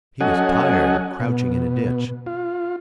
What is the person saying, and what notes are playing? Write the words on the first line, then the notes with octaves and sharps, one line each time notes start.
He was tired of crouching in a ditch.
F#3 C#4 A4 D#5 F#5 G#5
B2
F4